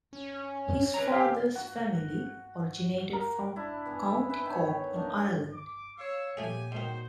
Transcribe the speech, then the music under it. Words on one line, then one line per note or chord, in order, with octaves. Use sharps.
His father's family originated from County Cork in Ireland.
C#4
B4 C#5 A#5
G4 F5 G#5
F#4
A#4
D4 E4
B3 G#4
B4 E5
D#3 C#5
F#3
A#3 D4 D#4
D6
C#5 F5 E6
A#2 F3 A3 G4 G#4 G#5
G#2 D#3 D#4 F#4 C5